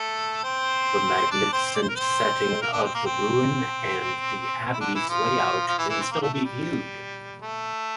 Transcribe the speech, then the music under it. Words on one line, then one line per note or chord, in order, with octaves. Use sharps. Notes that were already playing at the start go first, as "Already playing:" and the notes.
The magnificent setting of the ruin and the Abbey's layout can still be viewed.
Already playing: A3 A4
C4 C5
D4 D5
C4 C5
D5
C5
A#4
C4 C5
A#3 A#4
D3 D4
C4
A#3
C4
E4
D3 D4
E3 E4
F3 F4
F3 F4
E3 E4
E3 E4
C4
A#3
A3
A3
G3
A3